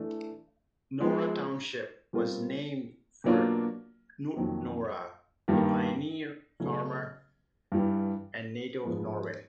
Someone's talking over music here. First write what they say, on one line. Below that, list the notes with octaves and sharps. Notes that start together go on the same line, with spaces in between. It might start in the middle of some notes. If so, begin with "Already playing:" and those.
Nora Township was named for Knut Nora, a pioneer farmer and native of Norway.
Already playing: E3 A3 D4
F3 G#3 B3
B2 G3 C4 F4 A#4
B2 F#3 A#3 D4 F4
F2 C3 D#3 F#3 A#3
G2 D#3 G3 A#3
C#3 F#3 A3 C#4
G2 E3 G3
G#2 F3 G#3 B3